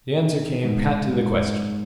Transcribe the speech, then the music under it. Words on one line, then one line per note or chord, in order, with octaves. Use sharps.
The answer came pat to the question.
D#3
G#2
G#2